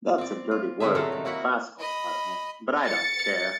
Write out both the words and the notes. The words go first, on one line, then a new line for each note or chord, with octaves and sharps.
That's a dirty word in the classical department, but I don't care.
C4 D5
F4
D3 F#3 C4 G#4 E5
A2 C3 F#3 A3 A4
D#3
A#3 E4 F#4 F#5
D#5 B5
A6 C#7